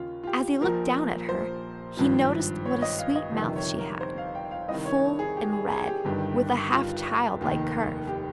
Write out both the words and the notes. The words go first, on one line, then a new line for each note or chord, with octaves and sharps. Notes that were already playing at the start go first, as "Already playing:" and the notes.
As he looked down at her he noticed what a sweet mouth she had--full and red, with a half child-like curve.
Already playing: D#2 C#3 F4
F4
G4
A#1 A#2 F3 A#4
C5
G#1 G2 F3
C#5
D#5
F5
D#5
G1 F2 C3 D#3
C#5
A#4
C5
F5
G5
F5
C2 C3 D#3 D#5
C#5
G#4
G4
G#4
G#4
G4
G1 G2 D#3
F4
F1 D#2 D#3
G4